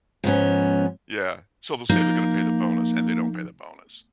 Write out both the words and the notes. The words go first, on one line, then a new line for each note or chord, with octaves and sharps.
Yeah. So, they'll say they're gonna pay the bonus and they don't pay the bonus.
G#2 F3 B3 C#4
F3 A#3 D#4 G6